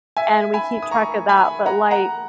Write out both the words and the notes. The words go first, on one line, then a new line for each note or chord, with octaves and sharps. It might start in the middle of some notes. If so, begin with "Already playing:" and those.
and we keep track of that, but, like,
E5 G#5
G#5 B5
D#6
A#5 C#6
G#5 B5
F#5 A#5
F#5 A#5